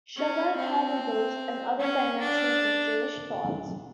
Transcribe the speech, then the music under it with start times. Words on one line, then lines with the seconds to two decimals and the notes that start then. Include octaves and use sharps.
Chabad Hasidus and other dimensions of Jewish thought.
0.16 C#4
0.57 C4
1.80 C#4
2.20 D4